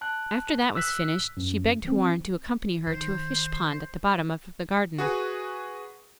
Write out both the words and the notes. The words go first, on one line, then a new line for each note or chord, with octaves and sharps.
After that was finished, she begged Houarn to accompany her to a fish-pond at the bottom of the garden.
A5 F#6
E6 F#6 B6
F#2
E3 C4
D#3 C5
F#4 G#4 B4